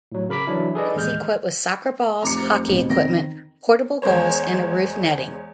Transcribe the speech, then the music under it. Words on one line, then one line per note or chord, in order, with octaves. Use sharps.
It is equipped with soccer balls, hockey equipment, portable goals, and a roof netting.
A2 F#3
C#3 A#4 B5 D6 B6
E3 F#3 D4 E4
G#4 A4 B4 D5 D#5
A1 D#2 G#3 F6 G6
F1 A#5 D6 C#7
C5
G1 F2 B2
D#3 C4 A#6
E2 G#3 A#4 C5 C#5